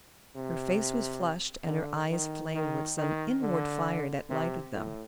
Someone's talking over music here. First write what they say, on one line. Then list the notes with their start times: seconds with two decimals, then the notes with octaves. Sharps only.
Her face was flushed and her eyes flamed with some inward fire that lighted them.
0.36 C3
1.67 D3
2.11 D#3
2.55 D#3
2.98 D#3
3.42 D3
4.30 C3
4.73 A2